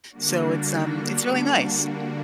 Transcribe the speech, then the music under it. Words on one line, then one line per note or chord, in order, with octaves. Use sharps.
So it's, um it's really nice,
D3 G3 A#3 D4 F#4